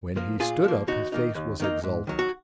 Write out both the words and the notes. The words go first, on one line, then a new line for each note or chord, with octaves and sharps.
When he stood up his face was exultant.
F3 A#3
A#2 F4 G#4
F3 A#3
D#2 D#4 F#4
D#3 A#3 D#4
D#2
D#3 A#3 D#4
G#2
D#3 F#3
F#4